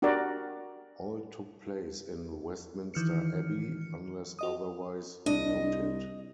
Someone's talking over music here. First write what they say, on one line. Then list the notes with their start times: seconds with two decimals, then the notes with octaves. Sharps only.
All took place in Westminster Abbey unless otherwise noted.
0.02 D4 F#4 G4 A#4 D5
2.94 D#3 E3 F6 C#7
4.39 F#4 D#5 D#6
5.26 C2 D4 D#5